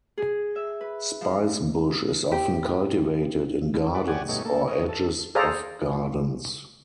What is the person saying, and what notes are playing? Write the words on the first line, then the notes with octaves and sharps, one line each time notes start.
Spicebush is often cultivated in gardens or edges of gardens.
G#4
E5
B4
F3
G4
F#4 B4 D5
G4 C#5 D5 F#5 G#5
G2 B2 A3 D#4 C#5
A#3 A4
C#5 D#5
A4
G#4 A4 C5 D5 F5 A#5